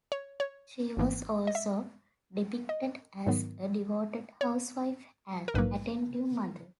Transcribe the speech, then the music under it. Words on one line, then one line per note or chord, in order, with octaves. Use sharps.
She was also depicted as a devoted housewife and attentive mother.
C#5
C#5
G#1 G#2 E3 A#3
D#5
E5
D#5
G#2 D#3 F#3 B3
C#5
A#4
A#1 G#2 F#3 A#3 B4